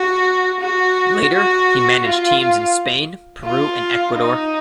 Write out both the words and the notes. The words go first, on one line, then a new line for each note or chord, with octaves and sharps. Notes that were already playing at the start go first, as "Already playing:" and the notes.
Later, he managed teams in Spain, Peru and Ecuador.
Already playing: F#4
F#4
F#4
F4
F4
D#4